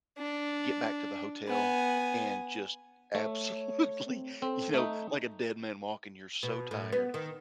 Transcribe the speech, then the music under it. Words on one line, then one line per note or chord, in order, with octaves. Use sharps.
get back to the hotel and just absolutely you know, like a dead man walking. You're so tired.
D4
B3 G#5
A3 C#5
C4
C4 A4
A3 D#4
B2
A2
B3
D#3